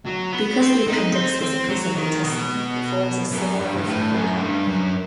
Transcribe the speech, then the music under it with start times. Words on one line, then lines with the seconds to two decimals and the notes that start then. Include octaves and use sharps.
Because the appendix is a piece of intestine, it follows a similar referral pattern.
0.05 F#3
0.32 B3
0.59 C4
0.87 D#4
1.14 C4
1.41 C4
1.69 F#3
1.96 D#3
2.23 B2
3.31 F#2
3.59 G2
3.77 G2
3.86 A2
4.13 F#2
4.35 A2
4.40 G2
4.67 F#2